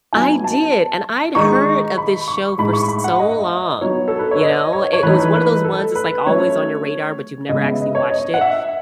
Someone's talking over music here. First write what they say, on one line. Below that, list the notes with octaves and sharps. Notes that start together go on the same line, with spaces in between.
I did, and I'd heard of this show for so long, you know? I it was one of those ones, that's, like, always on your radar, but you've never actually watched it,
F#3 B3 D#4 G#5
A5
D#3 G#3 D#4 C#6
B5
C#6
A2 G#3 D#4 B5
C#6
B5
F#5
D#5
E5
D#5
F#3 B3 D#4 C#5
A4
B4
C#5
D#5
C#5
C#5
E3 A3 D#4 B4
B4
A4
B4
F#3 A3 C#4 C#5
C#3 G#3 B3 D#5
E5
D#5
C#5
D#5
F#5
E5